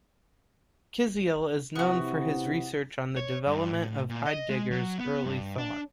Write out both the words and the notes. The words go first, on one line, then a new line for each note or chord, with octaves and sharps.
Kisiel is known for his research on the development of Heidegger's early thought.
C3 B3 E4 F#4
C#5
G2
A2
A#2
D#5
G#3
F#3
B3
G2
D4